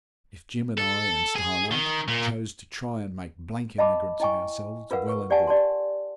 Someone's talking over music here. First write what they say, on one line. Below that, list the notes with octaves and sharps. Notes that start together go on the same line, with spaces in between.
If Jim and I and Starlight chose to try and make blank emigrants of ourselves, well and good.
A4
G#4
D#3
A#2
D#5 F5 A5 B5 D6
E4 D#5 G5 G#5 C#6
F4 A#4 B4 F5 F#5
B4 C#6
G4 D5 E5 F#5 G#5 A5
G4 D5 A5 C6